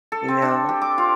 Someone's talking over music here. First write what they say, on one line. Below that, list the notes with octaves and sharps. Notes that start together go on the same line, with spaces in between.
You know?
A4
C4
D4
G4
D6
F4